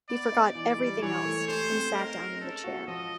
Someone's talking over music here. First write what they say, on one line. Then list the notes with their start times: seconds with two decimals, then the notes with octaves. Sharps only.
He forgot everything else, and sat down in the chair.
0.09 B3 D5
0.32 D#4
0.55 E3 D5
0.78 G3
1.02 E3 C#5
1.25 A3
1.48 A3 C5
1.72 C4
1.94 D#4 A#4
2.18 G#4
2.41 C#4 A4
2.64 F#4
2.87 F3 D#5